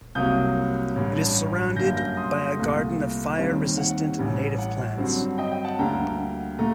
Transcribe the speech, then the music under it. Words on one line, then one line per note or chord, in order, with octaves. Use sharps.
It is surrounded by a garden of fire resistant native plants.
C2 C3 F#3 A#3 D#6 G6
A1 G2 D3
F#2 D3 G3 A#3 G6 A#6
G6 A#6
C6 D#6
C2 A#2 A3
D#2 D#3 G3 C4
F#5
A1 A2 G3
F#5
G2 D3 F#3 C4
D#5 G5
D#5 G5
F#5 A5
D2 D3 G3 A#3 G5 A#5
A#2 A3 A#5